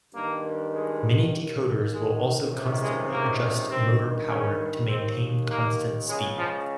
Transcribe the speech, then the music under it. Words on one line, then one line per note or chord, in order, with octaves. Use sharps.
Many decoders will also constantly adjust motor power to maintain constant speed.
G2 D#3 A#3
G#3
D#2 D#3
G#3
C#2 C3 D#3
G#3
A#3
G2 D#3 C4
C#4
D#2 D#3 C4
A#3
C#2 C#3 G#3
F3